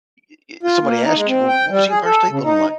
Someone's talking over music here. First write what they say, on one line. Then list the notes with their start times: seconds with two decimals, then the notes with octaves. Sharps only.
e e eh, somebody asks you, "Well, what was the Empire State Building like?"
0.63 F4
0.81 A#3
1.04 D#4
1.15 G#3
1.28 C4
1.48 G5
1.70 G3
1.90 G#4
2.04 A4
2.30 C#3
2.44 D#4